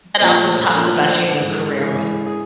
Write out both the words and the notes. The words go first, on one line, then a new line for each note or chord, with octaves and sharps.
but also talks about your new career move.
C5
A#2 F3 A3 B4
C#5
C5
A4
A#2 F3 A3 A#4
C5
C5
G#2 E3 G#3 B4
A#4
G#2 E3 G#3
G#4